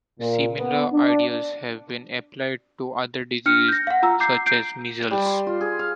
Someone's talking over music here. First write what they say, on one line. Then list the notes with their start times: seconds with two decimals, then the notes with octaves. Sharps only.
Similar ideas have been applied to other diseases such as measles.
0.20 A#2
0.58 B3
0.92 D4
3.46 D4 F6 C#7
3.68 G6 A#6
3.87 F5 F#5
4.02 F4 A#5 E6
4.20 A#5 D6 G6 C7
4.46 G6 C7 D7
5.11 G3
5.26 C6
5.47 F4
5.61 G#4
5.79 F5